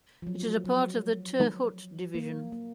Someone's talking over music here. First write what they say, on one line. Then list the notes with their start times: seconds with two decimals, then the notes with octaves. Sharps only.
It is a part of the Tirhut Division.
0.22 F3
0.27 F#3
0.65 F#3
1.40 D#3 G#3 B3 D#4
2.15 A#3
2.52 A#3